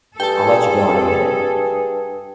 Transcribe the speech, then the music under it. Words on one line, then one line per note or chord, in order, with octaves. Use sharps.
I'll let you go in a minute.
G2 G#4 A4 G5 A5